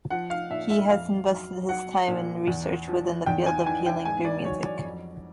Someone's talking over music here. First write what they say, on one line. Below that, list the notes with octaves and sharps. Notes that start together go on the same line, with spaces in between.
He has invested his time in research within the field of healing through music.
F3 F#5
F5
A#2 E5
E5
F2 F5
F#3
F#3 F#5
A#2
E2
F3
E2 G5
G#5
E3 G#5
G5
G#2 G#5
D5
F#3 C#5
D5
F2